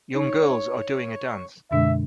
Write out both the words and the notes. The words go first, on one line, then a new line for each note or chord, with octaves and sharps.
Young girls are doing a dance.
D#4 C#5
F#2 B2 D3 G#3 D4 E5